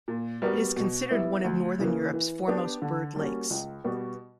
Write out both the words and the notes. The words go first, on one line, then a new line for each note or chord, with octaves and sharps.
It is considered one of northern Europe's foremost bird lakes.
A#2
G3 B3 F#4 A#4
B2
G3 B3 E4
D2
C#3 E3 A#3
E3
B3 D4 G4
D3
G3 A#3 C#4 F#4
C#2
B2 G3 B3 F#4